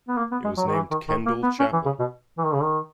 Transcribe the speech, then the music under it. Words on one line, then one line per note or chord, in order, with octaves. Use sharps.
It was named Kendall Chapel.
B3
A#3
B3
G#3
F#3
D#3
E3
D#3
D#3
A#3
B3
C#4
E3
C#3
B2
E3
D#3
C#3
D#3